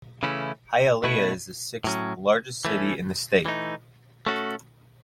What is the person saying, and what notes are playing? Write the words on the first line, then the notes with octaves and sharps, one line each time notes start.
Hialeah is the sixth-largest city in the state.
C#3 E3 A3 C#4 E4
B2 A3 E4 B4
A2 F#3 C#4
E3 A3 C#4
E3 A3 D#4
A3 C#4 F#4 A4